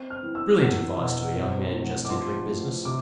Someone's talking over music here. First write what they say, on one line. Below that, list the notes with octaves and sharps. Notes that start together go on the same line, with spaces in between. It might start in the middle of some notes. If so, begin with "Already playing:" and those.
Brilliant advice to a young man just entering business!
Already playing: C4
F6
E3
E6
E2
B2
C4
A2
D6
F3 C6
A2
C3 D6